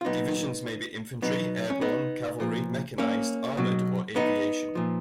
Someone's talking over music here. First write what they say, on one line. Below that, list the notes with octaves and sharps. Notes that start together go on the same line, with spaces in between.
Divisions may be infantry, airborne, cavalry, mechanized, armoured or aviation.
F4
A#2 F#3 B3 D#4
B2 F#3 B3 D#4
C#4
B3 D#4
A#2 F3
A#3 C#4
B2 F#3
B3 D#4
A#2 F3